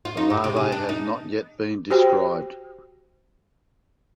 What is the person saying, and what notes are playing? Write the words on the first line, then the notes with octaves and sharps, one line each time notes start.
The larvae has not yet been described.
F4
D#4
G2
C3
G#4
D4
D#4
F#4 G4 C5 G5